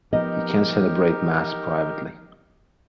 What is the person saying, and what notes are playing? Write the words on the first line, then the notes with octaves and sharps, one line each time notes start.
He can celebrate Mass privately.
F3 B3 D#4 G4 A#4 D#5